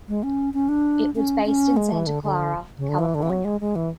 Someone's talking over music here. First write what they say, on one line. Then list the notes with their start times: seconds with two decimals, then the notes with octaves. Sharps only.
It was based in Santa Clara, California.
0.08 G#3
0.23 C#4
0.54 C#4
0.69 D4
1.16 C#4
1.45 C#4
1.77 G#3
1.92 E3
2.07 D3
2.23 D3
2.78 C#3
2.89 D3
2.99 E3
3.15 D3
3.22 E3
3.30 F#3
3.45 G#3
3.61 G#3
3.76 E3